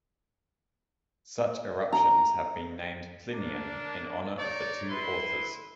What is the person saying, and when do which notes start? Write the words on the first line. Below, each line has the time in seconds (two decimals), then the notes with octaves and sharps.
Such eruptions have been named Plinian in honour of the two authors.
1.92 A#5
3.32 A#3 D4
4.37 D#4 C#5 D5
4.88 E4 B4 C6